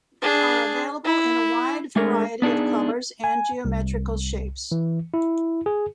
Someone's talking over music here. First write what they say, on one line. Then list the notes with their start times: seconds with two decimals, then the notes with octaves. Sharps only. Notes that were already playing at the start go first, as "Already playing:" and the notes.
They are available in a wide variety of colors and geometrical shapes.
0.22 D4 G#4
1.04 E4
1.96 G#3 A3 D4 G#4 A#4
2.42 B3 D4 D#4 G#4
3.24 G#5
3.65 C2
4.72 E3
5.14 E4
5.66 G#4